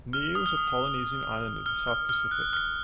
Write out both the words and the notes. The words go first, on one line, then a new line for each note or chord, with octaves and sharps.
Niue is a Polynesian island in the South Pacific.
F6
D#6
F6
D#6
D#6
F6
F6
F6
F#6
F6